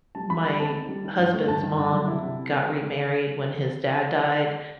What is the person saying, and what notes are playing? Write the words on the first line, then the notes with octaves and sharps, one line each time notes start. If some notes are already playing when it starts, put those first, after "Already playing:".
my husband's mom got remarried when his dad died,
G3 A5
G3 B5
G3 B5
C4 A5
D#4
G3
D#3
G2
A3
G2 A5
D#3
G2
F#3
E4
C3